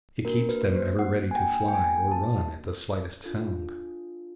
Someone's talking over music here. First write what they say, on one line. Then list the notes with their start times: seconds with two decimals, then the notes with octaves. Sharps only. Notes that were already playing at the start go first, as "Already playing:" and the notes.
It keeps them ever ready to fly or run at the slightest sound.
0.25 A#3 D4 F#4 A#4
0.49 B4
0.75 C5
0.99 F#5
1.31 G#5
1.36 G5
1.68 G5
1.74 G#5
2.12 A5
3.24 D4 F4 A4